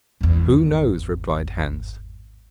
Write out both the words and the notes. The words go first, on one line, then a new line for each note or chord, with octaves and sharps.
'Who knows?' replied Hans.
G#1 E2